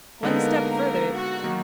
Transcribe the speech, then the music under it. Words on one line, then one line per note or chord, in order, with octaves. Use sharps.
'One step further....
D3 G#3 A#3 B3 D#4 A#4
F#4
D#3 F#3 A#3 D#4